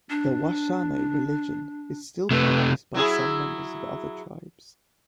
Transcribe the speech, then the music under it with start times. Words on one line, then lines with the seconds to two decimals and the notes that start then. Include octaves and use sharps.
The Washane religion is still practiced by some members of other tribes.
0.10 D4
2.31 C3 A3 B4
2.94 F#3 E4 G#4